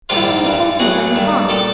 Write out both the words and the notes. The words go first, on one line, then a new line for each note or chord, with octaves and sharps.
Some one had told him so in fun.
A#1 G#2 D#3 G3 F4 G4
G2 E3 G3
A1 A2 F#3 F#4 G#4
G2 D#3 G3
A#2 G3 G4 A4